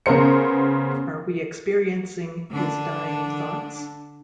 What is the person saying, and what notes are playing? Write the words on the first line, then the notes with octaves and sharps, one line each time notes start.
Are we experiencing his dying thoughts?
C#3 B3 A#4 C5 C#7
D3 D4